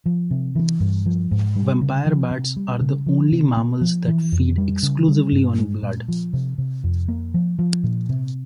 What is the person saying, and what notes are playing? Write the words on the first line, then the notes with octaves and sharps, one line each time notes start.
Vampire bats are the only mammals that feed exclusively on blood.
F3
C3
E3
G2
F3
G#2
G3
C#3
F3
C3
G3
C#3
F3
C3
A#3
F3
E3
F2
G3
C#3
G3
G2
G#3
A#2
F3
C3
C3
F2
A#3
F3
F3
A#2
C3